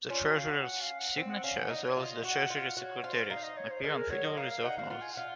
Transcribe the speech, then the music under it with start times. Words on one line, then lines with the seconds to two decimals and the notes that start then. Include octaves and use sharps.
The Treasurer's signature, as well as the Treasury Secretary's, appear on Federal Reserve Notes.
0.10 C#4 F4
0.24 F#4
0.37 F5
0.50 F#5
0.63 F#5
0.81 F5
1.00 F#5
1.17 C4
1.31 F#5
1.44 C#4 F5
1.57 F#5
1.70 D#4 D#5
1.84 C#5
1.97 F4 D#5
2.10 D#5
2.23 F#4 F#5
2.50 F4
2.77 F#4 C#5
3.03 F4 C5
3.30 D#4 F5
3.44 D#5
3.57 C#5
3.70 C5
3.84 G#3 A#4
3.97 A#4
4.10 F#3 C#5
4.25 D#5
4.37 A#3 F5
4.51 F5
4.64 D#4 F#5
4.78 F#4 F5
4.90 F4 F#5
5.02 G#5
5.14 F4 F#5